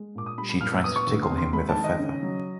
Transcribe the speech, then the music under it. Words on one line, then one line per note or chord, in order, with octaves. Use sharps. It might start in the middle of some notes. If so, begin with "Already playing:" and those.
She tries to tickle him with a feather.
Already playing: G#3
A#2 D6
D#6
G3 B5
B5
A#2 F6
E6
B3 D#6
C#6
D2
C6
C3
C6
G#3 B5
A5
D#3
D#5
C#3
F#3